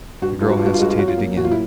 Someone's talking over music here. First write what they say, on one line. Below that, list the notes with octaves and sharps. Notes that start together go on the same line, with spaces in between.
The girl hesitated again.
G2 F#4
G2 F4
F#4
G2 F4
F#4
F4
G#3 F#4
F4
F#3 F#4
F4
A#3
A2 F#4
F4
E4